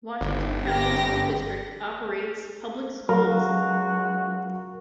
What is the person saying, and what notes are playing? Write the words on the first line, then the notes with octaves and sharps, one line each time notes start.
Washington County School District operates public schools.
G1
G4 A#6
C#2 F#3 F#4 A#4 F5 A#5